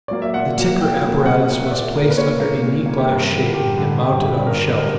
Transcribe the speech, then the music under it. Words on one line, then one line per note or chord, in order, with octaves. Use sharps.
The ticker apparatus was placed under a neat glass shade and mounted on a shelf.
F#3 A#3 D5
E5
A#2 F#5
F#3 A#3
A#2 G5
F#3 A#3
G5
A#2 F#5
A#3
E5
A#2 D5
A#3
A#4
B4
A#2 C#5
A#3
A#2
A#3
G4
G2 A#4
D3 G3
G2 G4
D3 G3
G2 G4
D3 G3
G4
G2 A#4
D3 G3
A#4